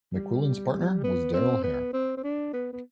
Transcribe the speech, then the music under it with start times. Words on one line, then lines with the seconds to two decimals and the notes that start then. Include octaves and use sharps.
McQuillan's partner was Darrell Hair.
0.14 G3
1.04 B3
1.33 C4
1.63 B3
1.93 C4
2.17 C4
2.24 D4
2.53 B3
2.73 B3